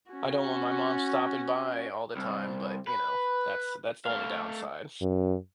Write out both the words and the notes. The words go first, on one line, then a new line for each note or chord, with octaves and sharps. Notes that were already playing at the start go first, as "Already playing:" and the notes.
I don't want my mom stopping by all the time, but, you know, that's that's the only downside.
C#4 F#4
C2
B4
A3 F5
F#2